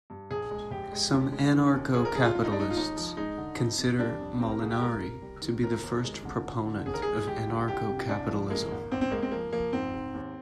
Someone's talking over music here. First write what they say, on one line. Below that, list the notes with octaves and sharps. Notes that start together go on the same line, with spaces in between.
Some anarcho-capitalists consider Molinari to be the first proponent of anarcho-capitalism.
G2
A#1 G#4
G#3
A#1 G4
G#3
D#2
G#3
D#3
D#2
G1 G#4
A#4
G2 G#4
F4
G2 F4
D#4
D4
G#3 D#4
F4
D#2 D#4
F3
G#3 D#4
D3
F2
C3
G3 D4
F2
C3 C4
A#4
C2 G#4
G4
G#3 A#4
C3
G3
D#3
F1 A#4
D#2
G#3
D3
D2
D3
D#2 G#4
A#4
G#3 G#4
G#3 G4
D3
C2 G4
C3
C2 D4
F3
G#3 A#3
G#1
G#1 C4
C4
G#3 A#3
C4
F3 A#3
F3 A#3
G#2 C4
G#2
D#2